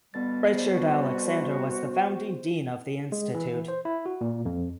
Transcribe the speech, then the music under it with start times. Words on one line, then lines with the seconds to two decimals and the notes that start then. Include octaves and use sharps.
Richard Alexander was the founding Dean of the Institute.
0.14 B2 D3 G3 B3 A6
0.54 C5
0.69 F#4
3.12 G#3
3.34 E3
3.68 C5
3.85 E4
4.06 F#4
4.21 A#2
4.45 F2